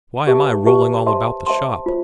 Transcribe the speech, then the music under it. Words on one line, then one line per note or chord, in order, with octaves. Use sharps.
Why am I rolling all about the shop?
G4 B4 E5 A5
G4 B4 E5 A5
C5 E5 A5 C6
C5 E5 A5 C6
F4 C5